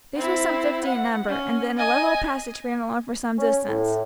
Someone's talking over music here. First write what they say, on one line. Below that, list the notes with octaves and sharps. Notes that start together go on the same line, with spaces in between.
These were some fifty in number, and then a level passage ran along for some distance.
C4 E4
F#5
C#4
D#5 G#5
C#4
A2